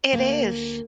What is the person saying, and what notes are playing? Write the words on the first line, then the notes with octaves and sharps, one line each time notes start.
It is.
D2 A#3